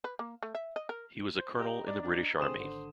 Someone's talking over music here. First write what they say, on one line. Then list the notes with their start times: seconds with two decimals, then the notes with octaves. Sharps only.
He was a Colonel in the British Army.
0.04 B4
0.19 A#3
0.43 A3
0.55 E5
0.76 D#5
0.89 A#4
1.38 C5
1.59 G4 D#5 A#5
1.87 D4 D5
2.03 D4
2.39 D3 C4 G#4 C5 D#6 E7
2.56 G#1 D3